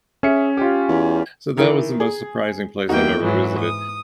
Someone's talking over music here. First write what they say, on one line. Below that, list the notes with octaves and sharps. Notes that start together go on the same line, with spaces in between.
So that was the most surprising place I've ever visited.
C#4 G#4 E5 C#7
F4 G4
E2
D#3 E3
G#4
E2 A#3 D#4 F#4 G5
G#2 E3 F#3
D#6